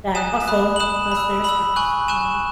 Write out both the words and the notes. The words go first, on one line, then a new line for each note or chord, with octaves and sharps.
that also lost their spouse, um
G#5 D#6 F#6 E7
B5 D#6 F#6
F#7
B5 D#6 F#6 E7
B5
E6
B5 E6 F#7
G#5 C#6 F#6 F#7
G#5 C#6 F#6 E7